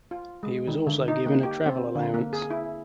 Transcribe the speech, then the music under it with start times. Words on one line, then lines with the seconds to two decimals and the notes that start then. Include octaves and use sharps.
He was also given a travel allowance.
0.11 F4
0.43 G#3
0.68 D#3
0.87 D3
1.08 D#4
1.26 A#3
1.43 G4
1.66 C4
1.95 D3
2.14 A#3
2.33 G#4
2.50 E4